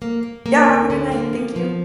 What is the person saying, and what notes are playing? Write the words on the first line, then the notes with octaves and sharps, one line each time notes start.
Yeah, have a good night. Thank you.
A#3
A#3
A#3
D2
D3
A#3
F3
F3